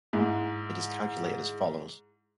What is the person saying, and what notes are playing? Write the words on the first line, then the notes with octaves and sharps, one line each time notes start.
It is calculated as follows.
G#2 G#3 E4